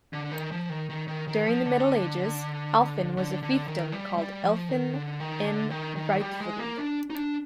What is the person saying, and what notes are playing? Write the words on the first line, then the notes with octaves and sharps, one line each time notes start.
During the Middle Ages, Alphen was a fiefdom called Alphen en Rietveld.
D3
D#3
F3
D#3
D#3
D#3
D#3
F3
D3
D3
D3
D#3
G3
G3
F3
D#3
D3
D#3
D3
D#3
D#3
G3
G#3
A#3
D4
D#4
D4